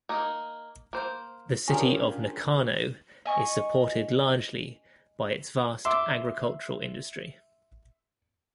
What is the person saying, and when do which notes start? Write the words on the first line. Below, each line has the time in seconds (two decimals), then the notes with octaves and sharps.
The city of Nakano is supported largely by its vast agricultural industry.
0.09 A#3 D#4
0.93 A#3 C5
1.68 C#4 D4 F4 G4 G#4 A#4
3.26 D#5 G#5 C#6
5.85 E5 C6 D6